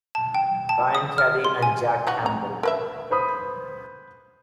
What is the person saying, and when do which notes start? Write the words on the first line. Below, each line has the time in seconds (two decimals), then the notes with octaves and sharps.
Ryan Kelly and Jack Campbell.
0.15 A5
0.35 G5
0.69 A5
0.95 D#6
1.18 F6
1.44 C6
1.63 G#5
2.07 E3 D#4 F#4
2.26 A#5
2.63 A#4 B4 E5
3.10 B4 C5 B5 D#6